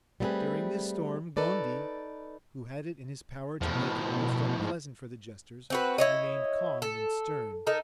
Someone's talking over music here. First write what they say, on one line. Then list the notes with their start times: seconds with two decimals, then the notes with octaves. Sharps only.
During this storm, Gondy, who had it in his power to make it most unpleasant for the jesters, remained calm and stern.
0.20 G3 A3 B3 C4 G#4 B4
1.37 D#4 A4 B4 D5
3.61 E2 A2 F3
3.75 B2
4.59 G#2
5.70 C4 F#4 B4
5.98 E4 C#5 D#5
6.82 A4
7.67 D#4 A4 A#4